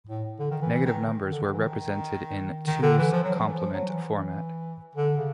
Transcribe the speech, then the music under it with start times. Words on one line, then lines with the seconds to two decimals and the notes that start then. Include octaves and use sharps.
Negative numbers were represented in "two's complement" format.
0.09 A2
0.39 D3
0.51 D#3
0.62 E3
0.74 E3
0.85 D#3
1.07 D#3
1.30 D3
1.42 D#3
1.53 E3
1.65 D#3
2.67 D#3
2.82 D3
2.98 E3
3.12 F3
3.24 F#3
3.35 F3
3.47 E3
3.58 F3
3.73 F#3
3.89 E3
4.95 D3
5.17 C#3